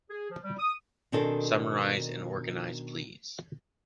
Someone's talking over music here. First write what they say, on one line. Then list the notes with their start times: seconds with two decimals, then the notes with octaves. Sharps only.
Summarize and organize, please.
0.10 G#4
0.31 F3
0.44 G3
0.59 D#6
1.12 B2 D#3 C4 D4 G#4 A4